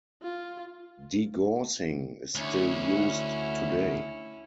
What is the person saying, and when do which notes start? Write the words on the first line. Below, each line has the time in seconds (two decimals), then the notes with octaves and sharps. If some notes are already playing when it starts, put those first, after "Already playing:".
Degaussing is still used today.
0.23 F4
2.35 D2 C#4 E4